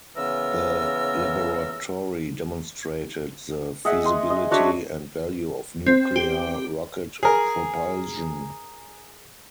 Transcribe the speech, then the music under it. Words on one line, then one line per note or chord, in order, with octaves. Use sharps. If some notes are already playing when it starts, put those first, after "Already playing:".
The laboratory demonstrated the feasibility and value of nuclear rocket propulsion.
C#3 E3 B3 A#4 E6
G#4 D#5 E5 F#5
G#5 C6
D#5
D4 F#4 C#5 E5
C4
G4
G#4 A#4